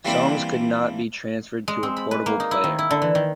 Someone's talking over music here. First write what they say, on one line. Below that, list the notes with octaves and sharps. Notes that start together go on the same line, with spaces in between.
Songs could not be transferred to a portable player.
E3 G3 A#3 C4 D4 E4
G#3
C4
B5
B4
A#3
D#4
E4
D#3
E4
D3
E3
D#3